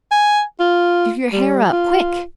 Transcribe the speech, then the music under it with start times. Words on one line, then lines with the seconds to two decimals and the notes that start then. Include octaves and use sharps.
"Do your hair up--quick!"
0.11 G#5
0.60 F4
1.32 G3
1.73 F4